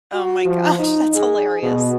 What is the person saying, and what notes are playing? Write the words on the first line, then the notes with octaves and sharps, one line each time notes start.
Oh my gosh, that's hilarious.
F#4
F3
D#4
G#4
B2